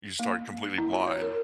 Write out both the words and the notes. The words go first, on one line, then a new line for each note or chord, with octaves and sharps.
you start completely blind
A#3
E4
F#4
C#5
A#4